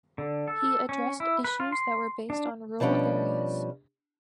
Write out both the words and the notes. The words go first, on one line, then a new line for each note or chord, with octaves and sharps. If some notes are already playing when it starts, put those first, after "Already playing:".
He addressed issues that were based on rural areas.
D3
A4
C#4
E4
B4
F4
C6
D4
B2 F3 G3 C#4 D4